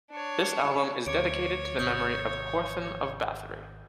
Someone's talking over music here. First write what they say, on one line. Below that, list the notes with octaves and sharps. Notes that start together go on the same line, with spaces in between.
This album is dedicated to the memory Quorthon of Bathory.
D4 C#5
D2 C#5 D6 D7
G#1 C3 C#6 D#6 G6